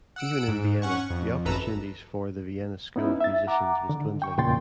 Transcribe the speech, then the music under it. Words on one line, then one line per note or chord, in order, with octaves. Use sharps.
Even in Vienna, the opportunities for the Vienna School of musicians was dwindling.
F#5 E6 D7
G#2
C#4 F#5 C#6
F2
G#1 F#2 A4 B4 A#5 E6
B3 C#4 D#4 E4
E5 A6
F#5 A#5 D6
D3
G5 C#6
E2 A#2 C#3 G5 C6 A6